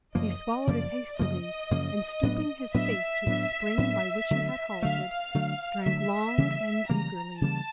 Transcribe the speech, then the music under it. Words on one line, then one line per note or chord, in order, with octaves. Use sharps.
He swallowed it hastily, and stooping his face to the spring by which he had halted, drank long and eagerly.
F#2 C#3 F3 A#3 D#5
F#2 C#3 F3 A#3 D5
F#2 C#3 F3 A#3 D#5
F#2 C#3 F3 A#3
A2 F#3 B3 D4
A2 F#3 B3 D4 E5
A2 F#3 B3 D4
A2 F#3 B3 D4
D3 F#3 A3
D3 F#3 A3 F5
D3 F#3 A3
D3 F#3 A3 E5
C#3 E3 G3 A#3
C#3 E3 G3 A#3 A#5
C#3 E3 G3 A#3 A5